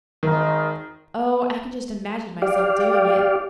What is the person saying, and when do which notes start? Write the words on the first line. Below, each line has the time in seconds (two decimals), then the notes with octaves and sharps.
Oh, I can just imagine myself doing it.
0.23 G#1 D#3 D#4 A#4
2.42 G4 D5 F5